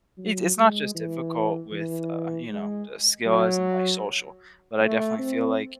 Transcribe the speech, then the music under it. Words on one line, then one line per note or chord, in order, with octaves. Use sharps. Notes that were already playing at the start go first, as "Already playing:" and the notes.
it's it's not just difficult with, uh, you know, the skill as in my social, but I definitely feel like,
F#3
G#3
E3
E3
G#3
F#3
A3
C4